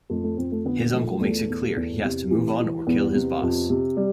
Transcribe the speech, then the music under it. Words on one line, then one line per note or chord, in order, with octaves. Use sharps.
His uncle makes it clear he has to move on or kill his boss.
F2 A3
A3
F2 C4
A3
D3 B3
F3 A3
E2 A3
E2
E2
C3
E3
E3
E2 B3
C3
F2
C3
G3